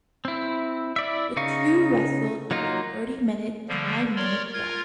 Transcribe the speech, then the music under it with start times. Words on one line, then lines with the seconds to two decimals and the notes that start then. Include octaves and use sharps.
The two wrestled to a thirty-minute time limit draw.
0.25 C4 E4
0.96 E4 D5 E5
1.36 C#3 D#4 F5 C#6
2.51 F#3 A#3 D#4 F4
3.68 D3 F3 G3 A#3
4.16 A#4 C#5 D5 C6
4.53 F4 A#4 G#6